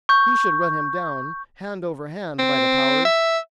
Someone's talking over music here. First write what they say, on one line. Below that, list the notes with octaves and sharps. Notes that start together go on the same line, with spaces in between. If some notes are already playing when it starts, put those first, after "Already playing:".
He should run him down, hand over hand, by the powers!
C#6 G6
C4
E5